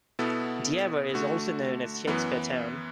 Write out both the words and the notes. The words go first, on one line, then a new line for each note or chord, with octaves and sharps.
Diever is also known as "Shakespeare-town".
B2 B3 E4 A4
D3 A3 F#4
F#2 E3 B3